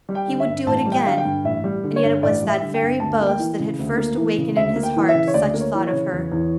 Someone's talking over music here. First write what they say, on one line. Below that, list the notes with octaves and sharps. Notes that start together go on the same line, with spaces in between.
He would do it again, and yet it was that very boast that had first awakened in his heart such thought of her.
G3
G5
D3
E5
G2
A1 A5
G3
G5
D3 F5
G5
G2
A1 E5
G3
D3
C#5
G2
A1 D5
G3
E5
D3
G5
G2
D2 A5
A#3
G5
E3
C#3
D2
A#3
E3
C#3
D2 E5
A#3
G5
E3
E5
C#3
C#5
D2 D5
A#3
C#5
E3
C#5
C#3
E2
E2